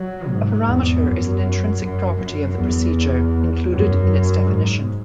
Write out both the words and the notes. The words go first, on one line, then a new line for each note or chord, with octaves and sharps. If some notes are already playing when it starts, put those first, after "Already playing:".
A parameter is an intrinsic property of the procedure, included in its definition.
Already playing: F#3
G#2
E2
F#2
F#2
F#2
E2
F#2
G#2